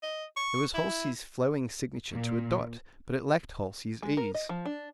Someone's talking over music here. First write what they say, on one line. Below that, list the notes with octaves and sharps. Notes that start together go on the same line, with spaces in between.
It was Halsey's flowing signature to a dot, but it lacked Halsey's ease.
D#5
C#6
E4
A#2
G#3
A#4
D#5
F3
D4